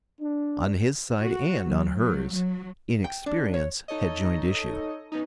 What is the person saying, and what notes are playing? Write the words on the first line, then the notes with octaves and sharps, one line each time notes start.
On his side and on hers, inexperience had joined issue.
D4
F#4
F#3
F#3
F#3
G5
D4
C#5
D#4 A4 C#5 D#5
B3 C#4 D#4